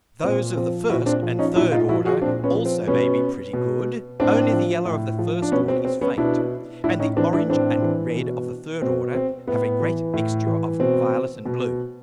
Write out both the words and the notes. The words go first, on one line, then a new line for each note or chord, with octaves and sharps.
Those of the first and third order also may be pretty good; only the yellow of the first order is faint, and the orange and red of the third Order have a great Mixture of violet and blue.
A#2 C4
F3 C4
A#2 E4 F#4
C4 D4
F3
C#4 D#4
A#2 D4 E4
D#4 F4
F3 E4 F#4
F#4 G#4
A#2 C4 D4
B3 C#4
F3
C4
B2 B3 C#4
B2
A2 C4 D4
F3
A2
F3
D4
B2 B3 C#4
C4
C4
B3 C#4
B2 D4 E4
A2 D4 E4
C#4 D#4
E3 C4 D4
D4 E4
A2 C4 D4
E3
B2
B2 C4
C4
A2 B3
E3
A2
E3
B2 C4
B2